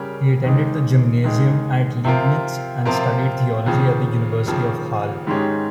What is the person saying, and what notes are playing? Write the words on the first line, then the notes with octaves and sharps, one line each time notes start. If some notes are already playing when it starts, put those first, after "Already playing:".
He attended the gymnasium at Liegnitz, and studied theology at the university of Halle.
Already playing: C#3 G3 C#4 G4 A#4
D#2 D#3 G#3 D#4
D#2 D#3 G#3 D#4
C3 F3 C4 F4 A#4
C3 F3 C4 F4 A#4
D#2 C#3 F3
D#2 C#3 F3
G#2 D#3 G#3 C#4 G4